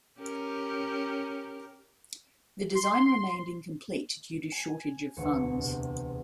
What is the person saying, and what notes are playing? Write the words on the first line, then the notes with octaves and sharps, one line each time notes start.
The design remained incomplete due to shortage of funds.
C#4 G4 A#4
C6
G#5
E1 D2 C#7
E2 C3